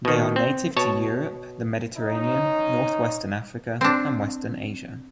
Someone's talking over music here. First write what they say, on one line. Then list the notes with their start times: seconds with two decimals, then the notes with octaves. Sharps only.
They are native to Europe, the Mediterranean, northwestern Africa, and western Asia.
0.05 B2 D#3
0.36 C4
0.77 B2 C#5 A5
1.96 C#4 D#4
3.81 C4 D4